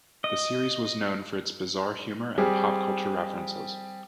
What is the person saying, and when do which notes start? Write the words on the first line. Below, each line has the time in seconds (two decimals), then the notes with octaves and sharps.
The series was known for its bizarre humor and pop-culture references.
0.24 D#5
2.38 G3 C4 G4 G#4